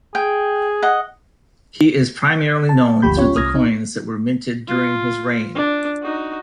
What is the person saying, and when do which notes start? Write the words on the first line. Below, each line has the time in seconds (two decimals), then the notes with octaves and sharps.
He is primarily known through the coins that were minted during his reign.
0.15 G#4 G5
0.82 D#5 F#5
2.69 A5
3.02 G1 D2 F3 G4 B5 G6
3.17 C#4 F4 C#5
3.35 C2 D#6 F6 G#6 A#6
3.55 D#4
4.67 F4
5.55 D4
6.02 D#4 F#4